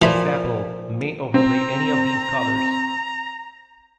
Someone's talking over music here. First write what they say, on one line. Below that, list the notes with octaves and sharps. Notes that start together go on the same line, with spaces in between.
Sable may overlay any of these colors.
A#2 E3 F3 B5
C4 A#5